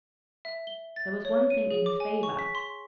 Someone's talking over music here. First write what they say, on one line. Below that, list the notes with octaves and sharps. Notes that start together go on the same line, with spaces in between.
There was one thing in his favour.
E5
G7
A6
C#5
D#7
G#4
D6
G#5
C#6
B6
C6